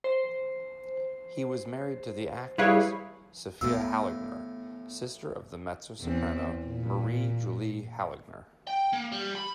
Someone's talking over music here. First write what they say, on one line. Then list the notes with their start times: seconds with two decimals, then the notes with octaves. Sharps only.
He was married to the actress, Sophia Halligner, sister of the mezzo-soprano Marie-Julie Halligner.
0.04 C5
2.58 G3 E4 G#4 B4 C#5 F5
3.61 A2 A3 B3 F5 E6
6.01 E2 E3 C4
6.65 A#2
8.67 G5
8.93 A#3
9.12 G3
9.36 B5